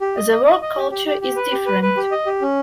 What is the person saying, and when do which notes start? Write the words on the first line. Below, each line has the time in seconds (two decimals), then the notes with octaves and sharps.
The work culture is different.
0.01 G4
0.17 D#5
0.32 D#5
0.46 D#5
0.62 D#5
0.77 G4
0.91 G4
1.07 G4
1.21 G4
1.36 B4
1.52 G4
1.66 B4
1.82 B4
1.97 G4
2.12 D#5
2.26 G4
2.42 C#4